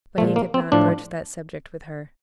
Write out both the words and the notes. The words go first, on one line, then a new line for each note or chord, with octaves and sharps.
But he could not broach that subject with her.
A#2 F3 A3
A#3
C4
A2 F3 D4